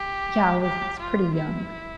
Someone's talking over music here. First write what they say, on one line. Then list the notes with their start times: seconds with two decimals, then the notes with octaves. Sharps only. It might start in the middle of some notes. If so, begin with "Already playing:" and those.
yeah, I was I was pretty young.
Already playing: G4
0.62 G4
0.99 F4
1.35 E4